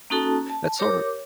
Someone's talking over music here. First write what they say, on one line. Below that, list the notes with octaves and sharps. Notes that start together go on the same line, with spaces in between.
that's sort of
A#3 C#4 D#4 F#4 A4 A5
A5
G4 A#4 C#5 D6